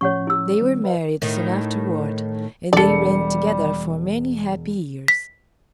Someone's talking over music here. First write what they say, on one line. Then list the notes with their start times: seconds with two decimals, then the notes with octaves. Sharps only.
They were married soon afterward, and they reigned together for many happy years.
0.01 A2 F3 C#4 C#5 F#5 C#6
0.27 E4 E6
0.61 D#3 G3 C4
0.84 B4 D#5 F5
1.22 A2 D#3
2.73 E1 G3 A4 D5 C#7
5.08 B6